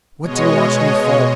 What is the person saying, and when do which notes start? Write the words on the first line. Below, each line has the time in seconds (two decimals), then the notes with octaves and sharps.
'What do you watch me for?
0.23 B2 G#3 C#5 D#5